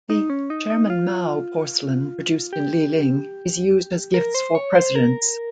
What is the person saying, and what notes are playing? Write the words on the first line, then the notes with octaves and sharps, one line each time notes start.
The "Chairman Mao" porcelain produced in Liling is used as gifts for presidents.
D#4
C#4
D#4
D#4
F4
G4
A#4
C5
C#5
C5
A#4